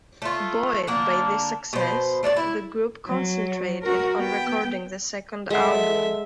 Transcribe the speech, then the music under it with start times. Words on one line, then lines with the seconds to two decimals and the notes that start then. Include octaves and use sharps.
Buoyed by this success, the group concentrated on recording the second album.
0.22 A3 F4
0.87 D3 A#3 D4
1.73 B2 C5
2.23 A3 D4 A4 D5
2.37 E4
3.07 F#3
3.82 F#4 A#4
4.18 B3 G5
5.50 G#3 A4 D5 E5 F#5 G#5